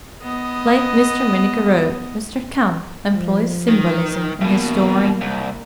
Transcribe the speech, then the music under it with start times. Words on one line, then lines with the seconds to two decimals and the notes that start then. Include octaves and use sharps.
Like Mr. Minnigerode, Mr. Camp employs symbolism in his story.
0.22 B3 D#5
3.12 F3
3.68 D#3
4.41 E2 B2 A#3
5.21 C2